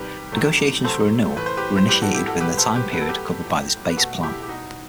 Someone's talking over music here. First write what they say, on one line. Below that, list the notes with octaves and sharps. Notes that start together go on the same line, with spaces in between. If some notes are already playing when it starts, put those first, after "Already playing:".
Negotiations for renewal were initiated within the time period covered by this Base Plan.
Already playing: C3 D#3 G3 G4 B4
C3 D#3 F#3 A3
C3 F#3 A3 A4 C5
A2 E3 A3 B4
C5
G4 B4
C5
A2 G3 G4 B4
F#4 A4
E4 G4
F#4 A4
B2 A3 G4 B4
A4 C5
G4 B4
B2 F#3 A3 B4
A4
G4 B4
A2 F#3 A3
B4
B2 A3 F#4 A4
E4 G4
G4
B2 G3 D#4 F#4